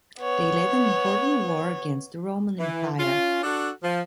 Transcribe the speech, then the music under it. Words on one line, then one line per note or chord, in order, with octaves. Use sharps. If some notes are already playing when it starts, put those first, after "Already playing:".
They led an important war against the Roman Empire.
B3 C#5
E3
C#4 F4
D4 F#4 A4
F3